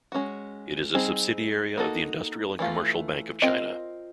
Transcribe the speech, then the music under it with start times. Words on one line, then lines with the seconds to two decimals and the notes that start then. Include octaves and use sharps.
It is a subsidiary of the Industrial and Commercial Bank of China.
0.12 G#3 C#4 F#4
0.94 G3 C4 D#4 G#4
1.77 A#3 D#4 F#4 A4
2.59 E3 A3 C#4 F4 A4
3.42 C4 F4 A#4 D#5